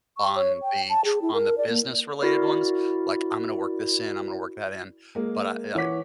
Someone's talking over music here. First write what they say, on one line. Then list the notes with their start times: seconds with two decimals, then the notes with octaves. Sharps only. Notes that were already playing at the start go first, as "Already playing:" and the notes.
on the tr on the business related ones, like, "I'm gonna work this in, I'm gonna work that in," but I eh,
0.17 C#6
0.36 C#5
0.62 G5
0.89 A5
1.05 G#4
1.22 E4
1.34 A#4
1.58 D5
1.69 A#3
2.22 E4 F#4 A#4 D5
5.15 G#3 A#3
5.75 E3 C#5 F#5 D6 B6